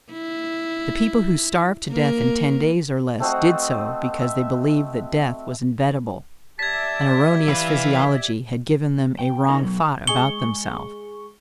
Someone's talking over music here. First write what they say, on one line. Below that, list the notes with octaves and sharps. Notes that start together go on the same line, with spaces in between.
The people who starved to death in ten days or less did so because they believed that death was inevitable; an erroneous physiology had given them a wrong thought about themselves.
E4
A#3 A#4
A3 C4 F#4 D#5
E5
G4 D5 E5 A5 G#6 B6
E3 B4 F5
G5
C#4 D#4 A#4 D#5
B2 F#3
G#3 G#4 C#6 G7